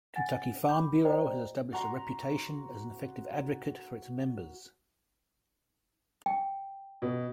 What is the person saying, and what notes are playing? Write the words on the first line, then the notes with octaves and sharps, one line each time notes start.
Kentucky Farm Bureau has established a reputation as an effective advocate for its members.
F#5 G#5 A6
B5 D6 G6
C5 D5 D#5 G5 A#5
F#4 A#5 C6
G5
B2